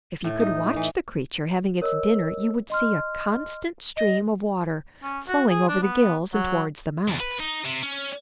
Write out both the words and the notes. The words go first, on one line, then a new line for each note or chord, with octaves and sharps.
If you could watch the creature having its dinner, you would see a constant stream of water flowing over the gills and towards the mouth.
A2
D#4
E3
A#4 C#5 D#5 E6
D#5 C6 F6
D#5
C#4
F#4
G#4
D4
B3
F#3
E2
B4
D#4
C3
C#4